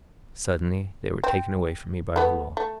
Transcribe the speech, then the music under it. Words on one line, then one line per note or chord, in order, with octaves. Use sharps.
Suddenly they were taken away from me by the law.
C4
A3 B3
A3